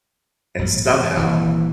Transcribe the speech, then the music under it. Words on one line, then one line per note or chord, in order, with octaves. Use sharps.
And somehow
A#1 G#2
E3
D#1 C3 E3